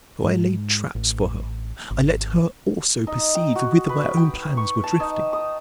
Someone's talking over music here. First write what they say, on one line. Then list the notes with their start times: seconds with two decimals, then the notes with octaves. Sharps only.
So I laid traps for her; I let her also perceive whither my own plans were drifting.
0.24 G#2
0.95 A1
1.90 G#1
3.07 D#4
3.35 G5
3.55 F#4
3.89 B4
4.17 G5
4.57 C#6
4.84 A5
5.00 D#4
5.33 D#6